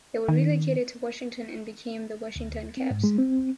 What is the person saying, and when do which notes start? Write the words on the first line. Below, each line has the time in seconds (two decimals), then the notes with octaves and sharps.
They were relocated to Washington and became the Washington Caps.
0.28 D#3
2.36 D2
2.77 C4
2.91 G#2
3.04 G#3
3.18 C4